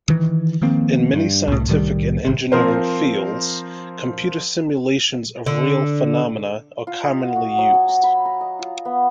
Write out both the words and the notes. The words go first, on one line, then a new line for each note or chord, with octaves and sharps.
In many scientific and engineering fields, computer simulations of real phenomena are commonly used.
D#3 E3
D#3 F3 A#3 C4
G2
C2 A2
C2 A2 D#3 G3
G#1 C3
F3 C4 A#4 C5
D3
F4
D#5
F#5
F#4
F#3
G#5
A#5
B5
A#5
D#5
F4
B3